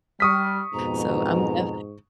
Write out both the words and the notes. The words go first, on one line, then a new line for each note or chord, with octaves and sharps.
so I'm def
G3 C#6 D#6 F6 B6
F2 G#2 B2 A#5